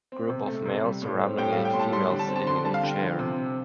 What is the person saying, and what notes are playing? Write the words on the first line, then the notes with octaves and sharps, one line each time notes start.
Group of males surrounding a female sitting in a chair.
C4
C3
A3
C3
G3
A2
C4
A2 G5
G3 F5
G5
A2 C6
A5
G3 C6
D3
A5
C4
A5
D3 C6
G3 A5
F5
D3 G5
F3
C3
C4